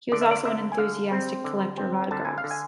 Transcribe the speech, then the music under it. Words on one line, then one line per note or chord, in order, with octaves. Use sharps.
He was also an enthusiastic collector of autographs.
D3 D5
E5
D5
D3 E5
G#5
D3 F5
C4
D3
C4
D3 A5
G#5
F5
D3
G#5